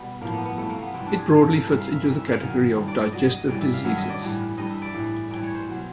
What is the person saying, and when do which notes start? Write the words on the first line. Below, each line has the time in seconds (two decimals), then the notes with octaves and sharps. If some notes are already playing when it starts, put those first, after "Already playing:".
It broadly fits into the category of digestive diseases.
Already playing: B2 G3 B3
0.21 A2 F3 A#3
0.34 B3
0.46 B3
0.57 C3 E3 G3 A3
0.69 A#3
0.82 B3
0.94 C3 E3 G3 C4
1.07 D4
1.18 G#4
1.30 A2 F3 G#4
1.42 A4
1.55 A#4
1.66 G#2 E3 G3 E5
1.80 F5
1.91 E5
2.03 G#2 E3 G3 D#5
2.15 E5
2.28 F5
2.40 G#2 D#3 F#3
2.76 G2 E3 G3
2.88 D5
3.01 D5
3.12 A#2 F#3 D#5
3.31 D#5
3.48 A2 E3 G3 D5
3.61 E5
3.74 F5
3.84 G2 D#3 F#3 E5
3.98 D#5
4.09 D5
4.21 A2 E3 G3
4.58 G2 E3 G3 D#5
4.71 E5
4.82 D5
4.94 A2 E3 G3
5.30 A2 E3 G3 D5
5.43 C#5
5.55 C5
5.67 B2 F#3